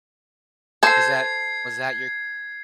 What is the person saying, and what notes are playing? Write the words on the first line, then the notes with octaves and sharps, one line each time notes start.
Is that was that your
A4 C5 G#6 C7